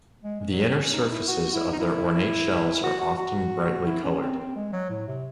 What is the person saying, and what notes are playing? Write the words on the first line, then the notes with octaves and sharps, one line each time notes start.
The inner surfaces of their ornate shells are often brightly colored.
G#3
G#3
F#3
C#4
D#4
E4
F#4
E4
D#4
E4
F#4
F#4
F#4
E4
C#4
C4
C4
G#3
F#3
A2
C3